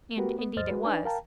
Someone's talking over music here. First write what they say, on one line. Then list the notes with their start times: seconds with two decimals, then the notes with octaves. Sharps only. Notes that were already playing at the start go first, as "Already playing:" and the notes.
And indeed it was.
0.17 A3 B3 F#4 G4 A#4 B4
0.39 B3
0.56 D2 G2 C5 D#5 F6 A6
0.69 G#3 F#4 B4
0.85 D4 D#4 B4 D5 G#5
1.05 A#4 F5 G5 A5 A#5